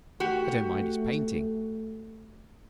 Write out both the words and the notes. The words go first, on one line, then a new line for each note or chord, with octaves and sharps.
I don't mind his painting.
A3 F#4 G4